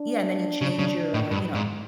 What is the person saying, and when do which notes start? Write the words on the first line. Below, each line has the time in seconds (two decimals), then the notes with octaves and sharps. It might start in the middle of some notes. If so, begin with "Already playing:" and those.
Yeah, and then you change your, uh, you know,
Already playing: D4
0.61 C#3
0.79 C#3
1.14 A2
1.31 G2
1.55 G#2